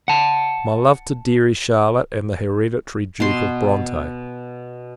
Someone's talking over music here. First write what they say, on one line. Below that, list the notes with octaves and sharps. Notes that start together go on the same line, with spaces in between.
My love to deary, Charlotte, and the hereditary Duke of Bronte.
F#5 A5
B2 C6